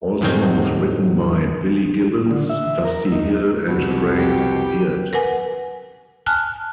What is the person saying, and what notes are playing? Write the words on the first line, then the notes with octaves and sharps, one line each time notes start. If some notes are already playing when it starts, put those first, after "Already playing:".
All songs written by Billy Gibbons, Dusty Hill and Frank Beard.
F#2 A2 D#3 F#3 G3 C4
D3
E5
A#4
D#4
C2 B2
G4
A#4 B4 F#5 G#5
G#5 A5 F6 F#6